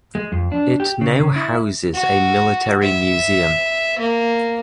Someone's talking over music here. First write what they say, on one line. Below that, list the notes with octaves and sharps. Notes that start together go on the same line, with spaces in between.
It now houses a military museum.
G#3
F2
D4
G4
C#3
C#3
E4
F#4
E5
A#3